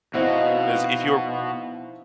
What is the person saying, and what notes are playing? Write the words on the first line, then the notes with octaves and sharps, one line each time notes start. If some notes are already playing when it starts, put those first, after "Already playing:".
As if you're
B2 F3 C4 D#4 E4 F#4